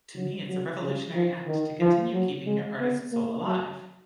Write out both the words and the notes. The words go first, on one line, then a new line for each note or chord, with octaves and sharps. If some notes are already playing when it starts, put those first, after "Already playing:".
To me it's a revolutionary act to continue keeping your artist soul alive.
F#3
F#3
C#3
F3
D#3
F3
F#3
G#3
B3
A#3
F#3